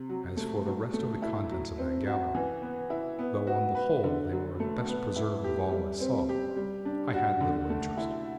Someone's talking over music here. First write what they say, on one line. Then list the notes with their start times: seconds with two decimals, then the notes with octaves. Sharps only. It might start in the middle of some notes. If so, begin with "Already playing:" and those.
As for the rest of the contents of that gallery, though on the whole they were the best preserved of all I saw, I had little interest.
Already playing: C3
0.09 F#3
0.37 A3
0.66 F#3
0.93 A3
1.22 E4
1.51 F#3
1.78 C4
2.07 F#4
2.35 E3
2.62 B3
2.90 E4
3.19 B3
3.47 F#4
3.75 B4
4.04 D3
4.31 F#3
4.60 A3
4.88 B3
5.16 E4
5.44 G4
5.72 G3
6.00 C4
6.29 G4
6.56 G3
6.85 D4
7.14 F#4
7.41 D3
7.70 A3
7.97 E4